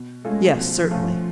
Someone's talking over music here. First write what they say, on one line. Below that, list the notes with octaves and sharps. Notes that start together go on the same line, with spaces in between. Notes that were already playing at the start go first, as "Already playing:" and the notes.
"Yes certainly."
Already playing: B2
G#3 A3 C#4 F4 A4
B2 F3
A3 C#4 F4 A4